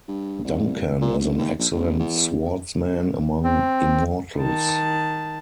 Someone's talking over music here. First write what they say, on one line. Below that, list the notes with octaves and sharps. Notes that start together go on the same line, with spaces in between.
Duncan is an excellent swordsman among Immortals.
G2
C2
A#2
D#1
D#2
A#1
A1
E2
C4
D#3 A5